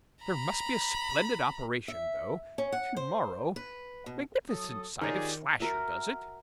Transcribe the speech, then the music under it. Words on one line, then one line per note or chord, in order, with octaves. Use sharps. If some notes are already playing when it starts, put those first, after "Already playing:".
There must be a splendid operation, though, to-morrow--magnificent sight if Slasher does it.'
A#5 B5
E5
C#4
F#5
C5
B4
B2
F#3 A4 D#6
D#3 D#4 F4 G4 G#4 C#5 D5
F#4 A#4 E5 F#5